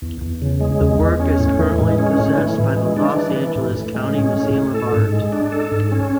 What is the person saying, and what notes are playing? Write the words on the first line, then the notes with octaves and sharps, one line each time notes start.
The work is currently possessed by the Los Angeles County Museum of Art.
E2
E2
C#3
G#3
E2
E2
C#4
A2
E3
G#3
C#4
A2
E3
E3
G#3
D4
E3
E3
A2
A2
G#3
C#4
A2
A2
A4
G#2
G#3
D4
A4
G#2
C#4